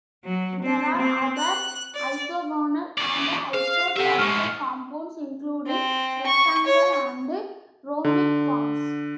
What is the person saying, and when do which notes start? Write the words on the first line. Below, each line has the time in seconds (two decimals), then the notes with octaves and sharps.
There are other isogonal and isotoxal compounds including rectangular and rhombic forms.
0.24 F#3
0.62 C4
0.95 C4
1.38 F#6
1.95 D5
2.98 E2 D5
3.54 G#4 C5 F5
3.96 C4 G4 A4 E5 F#5
4.18 G#2 A3 C#6 F6
5.67 C4
6.27 C#6
6.66 C#5
8.04 D3